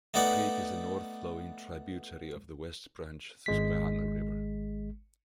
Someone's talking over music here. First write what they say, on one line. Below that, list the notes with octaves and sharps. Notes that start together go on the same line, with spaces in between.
The creek is a north-flowing tributary of the West Branch Susquehanna River.
A3 B3 D#4 D5 F#5
G#1 G#3 B6